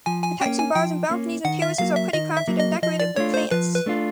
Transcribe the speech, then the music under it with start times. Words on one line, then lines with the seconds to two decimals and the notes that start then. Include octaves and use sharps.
The protection bars in balconies and terraces are pretty crafted and decorated with plants.
0.06 F3 G#5
0.24 G#5
0.41 A#3 C#4 G5
0.59 G#5
0.75 F3 G5
1.10 A#3 C#4
1.45 D#3 F#5
1.62 E5
1.78 F#3 A#3 F5
1.96 E5
2.13 D#3 D#5
2.36 E5
2.48 F#3 A#3
2.60 D#5
2.82 F3 D#5
3.00 D5
3.16 A3 D4 F4 C#5
3.34 C5
3.51 F3 B4
3.74 B4
3.86 A3 D4 F4